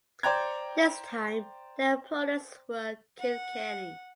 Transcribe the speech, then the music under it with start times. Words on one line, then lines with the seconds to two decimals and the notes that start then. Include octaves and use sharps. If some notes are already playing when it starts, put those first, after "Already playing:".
This time their opponents were Kilkenny.
0.23 C5 D5 G5 A#5 G#6
3.20 F#5